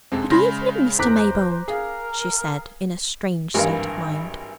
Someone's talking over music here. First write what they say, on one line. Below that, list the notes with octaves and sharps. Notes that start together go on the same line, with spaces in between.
"Good-evening, Mr. Maybold," she said, in a strange state of mind.
F2 C3 G#3 C4
C#3 G#3 B5 C6 A#6
E2 A4 C5 A#5 D6 F#6 B6
G#4 A#4 F5
G#1 G2 E3 A#4 F5